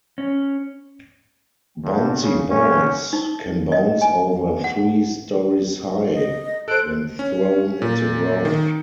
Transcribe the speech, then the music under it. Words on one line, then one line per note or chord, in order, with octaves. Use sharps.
Bouncy balls can bounce over three stories high when thrown at the ground.
C#4
G2
C#3
C#4
D#4
D#5
G#5
F#5
D#5
A4 C5 F#6 D7
C#4
A#2
D#3